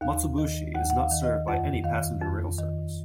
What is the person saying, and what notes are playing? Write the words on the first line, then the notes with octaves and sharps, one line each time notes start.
Matsubushi is not served by any passenger rail service.
D#2 F5
D#3
D#2 F#5
F#5
F5
D#3
D#5
F2 F#5
D#3 F5
F2
D#3